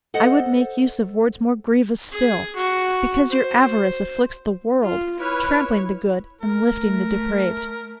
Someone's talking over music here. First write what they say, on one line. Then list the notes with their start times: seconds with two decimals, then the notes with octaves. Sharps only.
I would make use of words more grievous still; Because your avarice afflicts the world, Trampling the good and lifting the depraved.
0.14 A4 C5 D#5 F#5
2.12 G#4
2.55 F#4
3.30 C5
4.83 F4
5.20 E4 B4 C#5 F6
6.41 A3 A#4